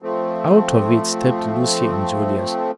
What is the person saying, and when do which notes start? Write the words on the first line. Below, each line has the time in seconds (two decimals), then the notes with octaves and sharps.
Out of it stepped Lucy and Julius.
0.02 F3 A3 C4